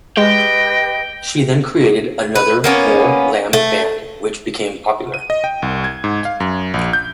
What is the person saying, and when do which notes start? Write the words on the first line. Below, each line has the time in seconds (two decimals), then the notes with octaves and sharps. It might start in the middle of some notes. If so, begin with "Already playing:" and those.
She then created another Mor lam band which became popular.
0.17 G#3 G4 B4 D#5 G5
2.35 B4
2.64 A#3 B3 C#4
3.53 A3
5.14 D#7
5.30 D#5
5.44 G5
5.62 C2
5.84 G#6
6.04 G#2
6.25 F5
6.40 F#2
6.74 A#1
6.93 G6